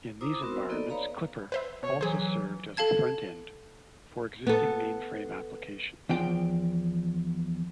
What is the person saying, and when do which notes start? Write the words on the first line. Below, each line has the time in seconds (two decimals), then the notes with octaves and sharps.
In these environments Clipper also served as a front end for existing mainframe applications.
0.21 E4 C5 A#5 D6 D#6
0.42 B3 C4 F#4 A#4 C5 E6
0.69 A#3 B3 D#4 A4 D5 D#5
0.90 B4 C#5 D5 F5 A#5 B5
1.52 B4 C5 E5
1.83 B2 C#5
2.01 E3 F#3 G#4 C5
2.77 A4 F5 A5 G#6
4.47 B3 A4
6.09 E2 F3 G5